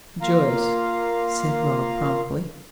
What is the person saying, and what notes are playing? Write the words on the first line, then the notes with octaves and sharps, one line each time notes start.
"Joyce," said Rob, promptly.
A#3 F4 F5 A#5